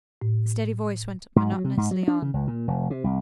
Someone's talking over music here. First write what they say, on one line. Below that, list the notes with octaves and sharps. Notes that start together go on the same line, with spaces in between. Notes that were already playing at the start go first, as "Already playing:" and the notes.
The steady voice went monotonously on.
A2
G#2
F#3
C3
G#2
F#3
D4
C#3
C#2
A#2
F1
C3
C2